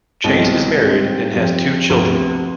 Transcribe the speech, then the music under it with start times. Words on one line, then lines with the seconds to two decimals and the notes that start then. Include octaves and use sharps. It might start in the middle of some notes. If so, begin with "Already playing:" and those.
Chase is married and has two children.
0.24 C2 B2 G#3 C4
0.79 G#2 G3 C4
1.34 F2 C3 F3 C4
1.89 D2 C3 F3 B3